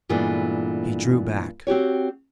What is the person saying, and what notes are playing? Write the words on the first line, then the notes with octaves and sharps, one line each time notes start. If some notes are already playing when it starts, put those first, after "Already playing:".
He drew back.
G2 A#2 E3 G#3 A3 B3
C4 F#4 G4 C#5